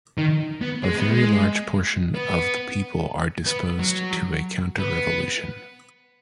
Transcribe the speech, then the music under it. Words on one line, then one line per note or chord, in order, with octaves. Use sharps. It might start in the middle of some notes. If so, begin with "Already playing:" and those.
A very large portion of the people are disposed to a counterrevolution.
D#3
B3
G#3
B3
G#3
B3
B3
F#3
B3